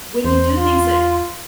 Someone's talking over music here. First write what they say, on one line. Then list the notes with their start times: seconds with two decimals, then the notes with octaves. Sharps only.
when you do things that
0.24 E2 C5 C6
0.57 F4